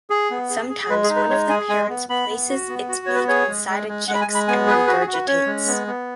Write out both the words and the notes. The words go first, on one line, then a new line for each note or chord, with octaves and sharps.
Sometimes, one of the parents places its beak inside a chick’s and regurgitates.
G#4
B3
G#4
G#4
G#4
G#3 B4
G#4
D#4
B4
G#3 C#5
G#4 G#5
G#3 G#5
B3
B3 B5
B3
F#4
B3
F#4
B3 C#5
B4
G#4 C#5
G#3
G#3
G#3
G#3 F#5
B5
G#5
G#3
B5
B3 G#5
G#4 B4
F#4 B4
G#4
F#4
B4
C#4 C#5
G#3
B3
B3